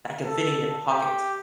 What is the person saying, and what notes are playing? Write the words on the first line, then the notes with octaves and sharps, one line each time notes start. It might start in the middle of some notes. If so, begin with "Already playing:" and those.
that can fit in your pocket.
A4
G4